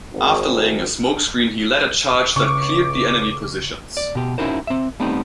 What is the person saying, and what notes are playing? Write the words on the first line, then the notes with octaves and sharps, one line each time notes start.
After laying a smokescreen he led a charge that cleared the enemy positions.
G#1
C#2 A2 C#3 C#6 D6
D5
B2 G4
C#4 D#4 E4 F#4 A#4 C5
C4 E5
G3 A3 B3 C4 D#4